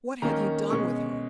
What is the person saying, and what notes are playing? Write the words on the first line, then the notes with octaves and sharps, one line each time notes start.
What have you done with her?
D#3 A#3 C#4 A#5
B2 G#3 C#4 C#6